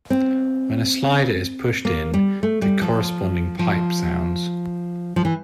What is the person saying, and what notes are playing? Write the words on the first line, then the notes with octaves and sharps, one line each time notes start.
When a slider is pushed in, the corresponding pipe sounds.
C4
A#3
G3
A3
G3
F3
F3
F3
E3